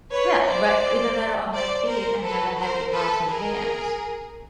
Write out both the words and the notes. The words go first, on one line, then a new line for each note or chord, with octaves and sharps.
Yeah, right, either that or on my feet, and they're the heavy pots and pans.
B4 C#5
C5 D5
C5 D5
A#4 C5
A4 B4
A#4 C5
A4 B4
G#4 A#4